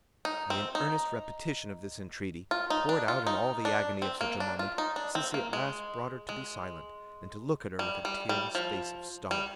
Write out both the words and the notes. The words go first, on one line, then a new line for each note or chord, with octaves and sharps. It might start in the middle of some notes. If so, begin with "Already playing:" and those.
By an earnest repetition of this entreaty, poured out in all the agony of such a moment, Sissy at last brought her to be silent, and to look at her with a tearless face of stone.
D#4
C4
D#4
F4
D#4
D4
F4
D#4
D4
C4
A#3
D4
F4
D#4
D4
C4
A#3
G#3
G#3
G3
G3
G3
F3
G3